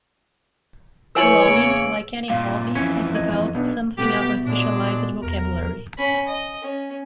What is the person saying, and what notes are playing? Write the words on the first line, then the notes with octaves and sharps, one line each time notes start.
Blogging, like any hobby, has developed something of a specialised vocabulary.
E3 F3 C5 C#5 G#5 E6 D7 F#7
E2 C#3 A#3 D7
G2 A#2 F5
F2 E3 C#4
D#5 G#6 D#7
B1 B3 D4
B2 G3 A3 B3 G4
A#2 F#3 G#3 D4
E2 A#4
C#4 B5
D#5
C#4